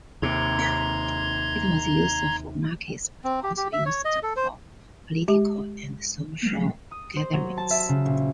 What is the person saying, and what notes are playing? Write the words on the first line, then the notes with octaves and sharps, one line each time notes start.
It was used for markets, but also used for political and social gatherings.
D#2 C3 A#5 C6 G#6
C4
G4
G4
E5
C#5
D#5
A4
C5
G#3 G4
D#6
C5
F#3
A5
E5
C#3
A#1